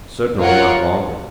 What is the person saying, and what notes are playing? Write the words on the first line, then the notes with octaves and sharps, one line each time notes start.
"Certainly not longer."
F4 A#4 C#5 F#5